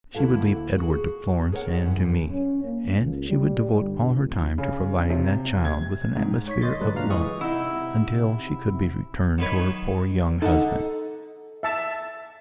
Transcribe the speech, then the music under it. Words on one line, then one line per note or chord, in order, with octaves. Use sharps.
She would leave Edward to Florence and to me--and she would devote all her time to providing that child with an atmosphere of love until she could be returned to her poor young husband.
D2 A#3 E4 F#4 A4 F5
F#4 G#4
G#4 A#4 C#5 F#5
F#2 E3
C#4
A#3
C#2
G3
G1
F1
C#3
C3
G#6
G#2
C#5 C#6 B6
B1 D#3 D#5 C6 A6
D3 F#3 G#3 D4 B4
G2 A#2 F5 A#5
E3 G#3 C#6 D#6
C3 D#4 E4 F#5 E6
B1 D#3 B4 C#5
D#4 A4 F#5
E5 A5 E6